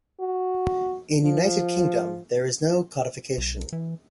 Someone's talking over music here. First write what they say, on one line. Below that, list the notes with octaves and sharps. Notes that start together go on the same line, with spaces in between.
In United Kingdom there is no codification.
F#4
F3
B1
E3